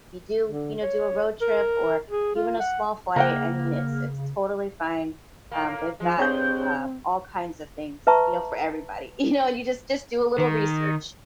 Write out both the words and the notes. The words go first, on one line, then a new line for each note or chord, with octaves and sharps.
If you do, you know, do a road trip or even a small flight, I mean, it's it's totally fine. Um, they've got, uh, all kinds of things, you know, for everybody, you know? You just just do a little research
D3
C#5
A#4
G#4
F4
F#5
C#3 A#3 A#4 F#5 G5
A2 A#3
F3 G#3
G2 C4 G#4 C#5 G6
B4 E5 A5 A#5 C#6
D#3